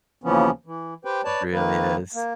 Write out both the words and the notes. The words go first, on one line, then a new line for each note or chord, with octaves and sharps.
Really is.
D#2 C#3 E3 F3 B3 C#4
E3
G4 B4 C5 G5
B4 C#5 D5 A5
D#3 A#3 B4
A#3